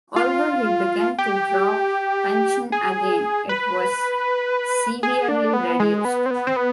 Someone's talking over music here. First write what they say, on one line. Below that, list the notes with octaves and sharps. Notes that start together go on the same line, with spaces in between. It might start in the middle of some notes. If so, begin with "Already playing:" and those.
Although he began to draw pension again, it was severely reduced.
F4
G4
G#4
B4
G#4
D4
B3
G#3
B3
C4
B3
C4
B3